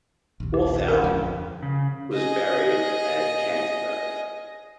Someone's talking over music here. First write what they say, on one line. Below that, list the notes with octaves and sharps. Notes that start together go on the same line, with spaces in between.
Wulfhelm was buried at Canterbury.
A#1 D#2
G4
A#4
F2 D3 F3
C#3
G#4 D#5